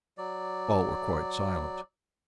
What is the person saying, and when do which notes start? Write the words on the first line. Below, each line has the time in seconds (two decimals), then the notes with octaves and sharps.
All were quite silent.
0.18 F#3 D5